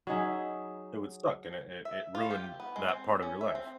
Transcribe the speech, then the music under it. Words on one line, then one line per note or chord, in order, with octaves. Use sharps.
it would suck, and it it it ruined that part of your life
F#3 D#4 G#4 E5
E5
F4
G4
B3
G#3
C4
C#4
E5
C4